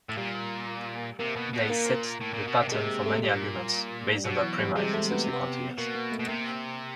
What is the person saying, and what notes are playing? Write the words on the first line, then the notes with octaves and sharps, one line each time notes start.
They set the pattern for many arguments based on that premise in subsequent years.
A2
A#2 G3
C3 A#3
B2
B2
A#2 A#3
A2
A#2
B2
C3
B2
C3 G#3
A3
A#2 G3
G3
B2 F#3
E3
G3
C3 G#3
A3
B3
B3
B2 A#3
A#3
A3
B2
C3 A#3